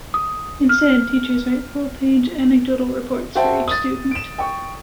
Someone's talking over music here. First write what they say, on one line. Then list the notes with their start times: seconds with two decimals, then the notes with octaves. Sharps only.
Instead, teachers write full-page anecdotal reports for each student.
0.14 D#6
0.69 F6
3.35 F#4 C5 E5 G5 A5
3.68 D#6 A6
4.11 D7 E7
4.38 G5 C#6